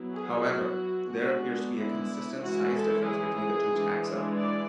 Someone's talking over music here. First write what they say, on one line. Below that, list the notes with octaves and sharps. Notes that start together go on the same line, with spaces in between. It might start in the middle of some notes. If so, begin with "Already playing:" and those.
However, there appears to be a consistent size difference between the two taxa.
Already playing: F#3 B3 E4
G#4
F#4
D3 G#3 B3 D4 F#4
E4
E3 G#3 C#4 E4 F#4
A4
G#4
E3 G#3 D4
D5